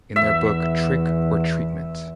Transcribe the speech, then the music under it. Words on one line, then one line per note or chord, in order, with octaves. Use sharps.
In their book Trick or Treatment?
E2 E5